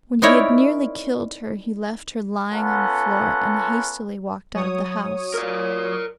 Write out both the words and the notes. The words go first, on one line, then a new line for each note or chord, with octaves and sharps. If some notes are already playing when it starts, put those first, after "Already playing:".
When he had nearly killed her he left her lying on the floor, and hastily walked out of the house.
C4 D#4 E4 A#4 C#5 D5
B3 C#4 F4 A4 A#4 F#5
F#3 C#5 D#6
A#4 D5